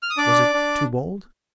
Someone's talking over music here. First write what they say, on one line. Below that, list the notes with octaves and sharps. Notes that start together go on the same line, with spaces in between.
"Was it too bold?"
F6
D#6
D4 D5 D6
D4